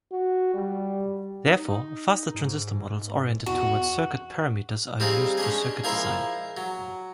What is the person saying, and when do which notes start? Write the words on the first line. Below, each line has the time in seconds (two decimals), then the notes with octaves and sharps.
Therefore, faster transistor models oriented toward circuit parameters are used for circuit design.
0.12 F#4
0.54 G3
1.46 D#4
2.35 G#2
3.46 E2 F#4
5.00 G3 C4 D#4 F4 G#4
5.38 G#3 C#4 D4 G#4
5.84 F3 G#3 E4 A#4 A#5 C6
6.57 F#3